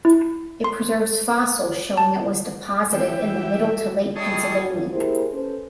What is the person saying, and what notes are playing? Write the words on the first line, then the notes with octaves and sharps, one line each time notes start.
It preserves fossils showing it was deposited in the middle to late Pennsylvanian.
E4
C6
A5
E3 G4 E5
G3 G#4 A4 C#5 D#5
A#3 E4 G4 G#4 A#4 C5
C#4 A4 B4 C5